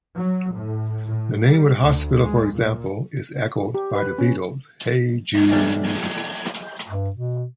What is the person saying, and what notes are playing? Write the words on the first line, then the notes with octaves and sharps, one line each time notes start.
The name of the hospital, for example, is echoed by the Beatles' "Hey Jude".
F#3
A2
A2
G3
D2
G#3
A#2
G4
B4
C#4
B1 E2 C3 G3 D4 A5
G2
B2